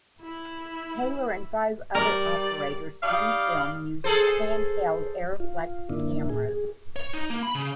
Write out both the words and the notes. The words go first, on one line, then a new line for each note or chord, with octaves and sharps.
Taylor and five other operators on the film used hand-held Arriflex cameras.
E4
G3 A#4 D5
G3 D#4 D5 F5
G#4 A4 C5
F4
F#2 D3 A#3 D4 E4
A2 G#4
G#4
C#5
D#4
A#3
B5
C#3